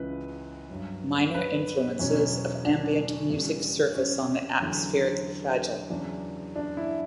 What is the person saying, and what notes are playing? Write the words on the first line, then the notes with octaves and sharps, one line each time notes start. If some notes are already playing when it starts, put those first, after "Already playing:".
Minor influences of ambient music surface on the "atmospheric" "Fragile".
Already playing: C#2 C#3 E3 B4
G2 F#3
B4
E2 B2 F#3 C#4
D4
E2 C#3 G3
C#4
E2 D3 F#3
E2 C#3 F#3 D4
D4
E4